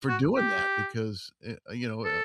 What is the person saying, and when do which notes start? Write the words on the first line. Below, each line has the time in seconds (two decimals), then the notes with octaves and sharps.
for doing that because, uh uh you know a a
0.09 F#4
0.37 G4
2.05 A4